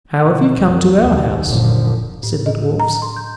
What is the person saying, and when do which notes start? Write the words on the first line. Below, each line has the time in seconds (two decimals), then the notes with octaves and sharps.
"How have you come to our house?" said the dwarfs.
0.22 B2
0.59 C2 F#2
1.03 D#2
1.45 F#1 A#2 D3 F3
2.23 A2
2.46 D#5
2.80 A#5
3.02 C6
3.16 G6